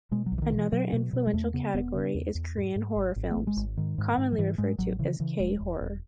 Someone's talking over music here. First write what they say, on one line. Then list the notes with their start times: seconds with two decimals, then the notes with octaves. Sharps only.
Another influential category is the Korean horror films, commonly referred to as "K-horror".
0.11 B2 G#3
0.26 F#3
0.32 B1
0.38 E3
0.42 D#3
0.52 B2 E3
0.72 B2 F#3
0.93 B2
1.13 B2
1.27 G#3
1.33 E2 A3
1.53 C#3 B3
1.74 E1 B3
1.94 C#3
2.15 E2
2.35 E2
2.55 G#2
2.76 G#2
2.96 G#1
3.16 G#1
3.31 G#1 A3
3.47 G#3
3.57 G#1
3.77 G#2 D#3
3.98 G#2
4.18 G#2
4.32 F#3
4.38 G#2 E3
4.58 G#2 G#3
4.79 A1 F#3
4.99 C#3 E3
5.20 C#3 E3
5.40 E1 G#3
5.61 E1
5.81 E1